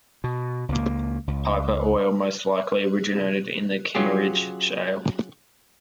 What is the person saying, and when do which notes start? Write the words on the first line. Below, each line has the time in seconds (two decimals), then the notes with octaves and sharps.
Piper oil most likely originated in the Kimmeridge Shale.
0.24 B2
0.69 C#2 A#3
1.27 C#2
3.95 F#3 C#4 F4 G4 G#4